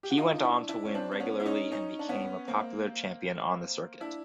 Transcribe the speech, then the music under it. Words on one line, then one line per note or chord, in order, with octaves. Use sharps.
He went on to win regularly and became a popular champion on the circuit.
G4
F#4
D#4 F4
D#4
D4 E4
D4 E4
C#4
C4 D4
C4
B3 C#4
E4
C#4 D#4
C#4 D#4
D4
B3 C#4
A#3 C4
D4 E4